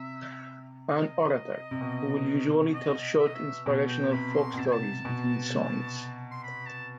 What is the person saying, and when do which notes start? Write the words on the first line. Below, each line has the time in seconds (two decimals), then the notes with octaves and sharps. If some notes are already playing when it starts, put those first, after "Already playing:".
An orator will usually tell short inspirational folk-stories between songs.
Already playing: C3 E5
0.89 D#5
0.96 C5
1.03 D#5
1.71 C3
1.81 B2
2.74 D#5
3.19 E5
3.27 D#5
3.35 E5
3.66 B2
3.88 G5
4.11 C3 B5
4.35 C6
4.54 B2
4.58 C3 A5
4.65 G5
4.72 A5
5.05 B2
6.31 C6
6.43 B5
6.66 A5